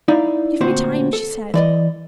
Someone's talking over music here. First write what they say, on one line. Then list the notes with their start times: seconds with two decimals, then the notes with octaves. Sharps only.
"Give me time," she said.
0.08 D#4 E4 D5 F5
0.61 D2 A#2 C4 F#4 C5
1.13 A4
1.54 E3 D5 D#5